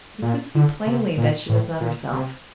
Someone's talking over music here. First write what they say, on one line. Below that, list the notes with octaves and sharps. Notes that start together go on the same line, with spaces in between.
He could see plainly that she was not herself.
A#2
D3
C3
A#2
A2
A#2
C3